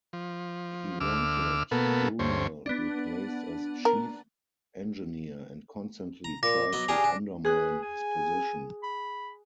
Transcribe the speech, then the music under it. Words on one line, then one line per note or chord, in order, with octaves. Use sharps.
He wanted Brunel replaced as Chief Engineer and constantly tried to undermine his position.
F3
D2 D6 E6 F6
B2 A#3 B3 A4
D2 G2 C5 C#5
B3 D4
A#4
A#5
A#2 D6 A#6
F#3 B3 D#5
D4 G4 G#4 F5 A#5
D4
G#4 B4 F#6
G#5
B5